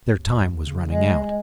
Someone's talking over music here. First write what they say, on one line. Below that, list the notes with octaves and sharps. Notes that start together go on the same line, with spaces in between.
Their time was running out.
D#2
C#3
G#3
D1 G#3